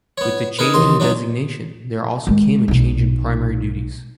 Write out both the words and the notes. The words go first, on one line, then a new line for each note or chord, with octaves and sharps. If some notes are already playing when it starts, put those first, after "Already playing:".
With the change in designation, there also came a change in primary duties.
B3 C#5
D#4 G#4 A#4 B4
A1 D#2 D#5 C6
F#3 D4 D#4
D#3 G#3
B1 D#4